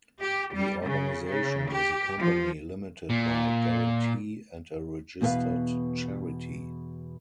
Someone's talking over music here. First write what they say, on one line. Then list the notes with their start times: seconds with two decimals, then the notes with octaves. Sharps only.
The organisation is a company Limited By Guarantee and a registered charity.
0.21 G4
0.54 G3
0.85 C#3
1.27 C#3
1.70 G4
2.22 F3
3.10 A#2
5.21 E2 B2 B3 G4 B4 F5